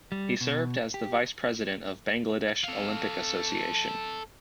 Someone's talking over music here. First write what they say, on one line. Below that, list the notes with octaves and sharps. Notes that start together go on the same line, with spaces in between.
He served as the Vice President of Bangladesh Olympic Association.
G3
B2
G4
A4 F5